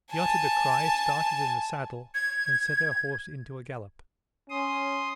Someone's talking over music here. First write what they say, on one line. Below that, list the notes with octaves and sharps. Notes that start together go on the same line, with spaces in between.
She uttered a cry, started in the saddle, and set her horse into a gallop.
G#5 A5
G#6
C#4 C6 D#6